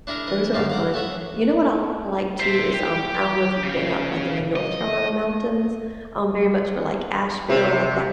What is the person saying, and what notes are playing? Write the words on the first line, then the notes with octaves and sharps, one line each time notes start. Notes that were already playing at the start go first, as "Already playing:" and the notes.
Those are fun, you know what I like too is, um I don't know if you've been up, like, in the North Carolina mountains, um, very much for, like, Asheville, like, that
D4 E4 G#4 A#4
E3 D#5
B1 F#2 A2 D3 A4 F5
F5 F#5 D6
A4 C#5 E5 F#5
C5 E5
G4
C#3
D#5
C3